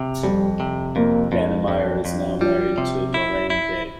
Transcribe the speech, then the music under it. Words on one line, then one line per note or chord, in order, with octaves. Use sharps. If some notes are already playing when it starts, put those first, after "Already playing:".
Dannemeyer is now married to Lorraine Day.
Already playing: C3
F2 G3
C3
F2 A#3
F2
F2
F2
F3 G3
C3
E4
E4